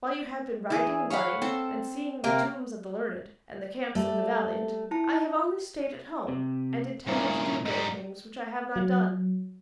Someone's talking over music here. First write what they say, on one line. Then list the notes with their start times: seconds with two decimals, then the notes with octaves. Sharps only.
While you have been riding and running, and seeing the tombs of the learned, and the camps of the valiant, I have only staid at home, and intended to do great things, which I have not done.
0.70 E3 G#4
1.10 C#5 F5 F#5 B5
1.42 C4 A4
2.24 C3 A#3 A#4 G5
3.95 G3 A3
4.91 E4 A5
6.28 C3
7.08 G2 A#2 C#3 E4 A#4
7.65 G#2 G3 D#4
8.76 F#3